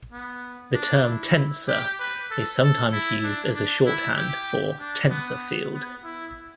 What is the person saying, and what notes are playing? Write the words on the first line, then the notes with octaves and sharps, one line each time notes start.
The term "tensor" is sometimes used as a shorthand for "tensor field".
B3
D4
E4
G4
B4
A4
A4
E4
D4
D4
E4
G4
D4
B3
B3
E4